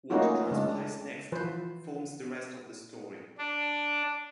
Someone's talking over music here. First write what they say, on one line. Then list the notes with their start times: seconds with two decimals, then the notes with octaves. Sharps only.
What transpires next forms the rest of the story.
0.10 A3 A#3 C#4 D#4 F4 F#4
0.51 C#3 G#3 D4
1.32 E3 F3 B4 C5
3.38 D4